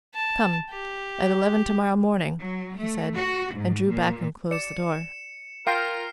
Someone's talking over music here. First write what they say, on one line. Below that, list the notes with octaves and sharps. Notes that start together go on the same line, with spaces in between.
"Come--at eleven tomorrow morning," he said, and drew back and closed the door.
A5
G4
F#3
A3
F#4
G#2
A#2
D5 C#7 E7
F4 A#4 F5 G5 C6 F6 C7